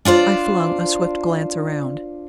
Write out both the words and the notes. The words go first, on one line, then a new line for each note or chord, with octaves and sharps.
I flung a swift glance around.
D4 F4 C5 D5